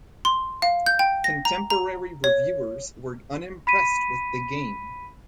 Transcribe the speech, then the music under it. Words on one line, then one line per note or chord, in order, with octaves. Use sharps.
Contemporary reviewers were unimpressed with the game.
C6
F5
G6
G5
A#6
A#5
A#5
C#5
B5 B6 D#7